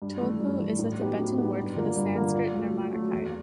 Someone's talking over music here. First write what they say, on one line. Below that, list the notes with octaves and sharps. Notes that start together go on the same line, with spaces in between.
Tulku is the Tibetan word for the Sanskrit "nirmanakaya".
G2
E3 A3
G2
E3 A3
A2
F#3 B3 D#4 G4
A2
F#3 B3 D#4 G4
G2
D3 F3 A#3
G2
D3 F3 A#3
A#2
F#3 A3
A#2
F#3 A3
E2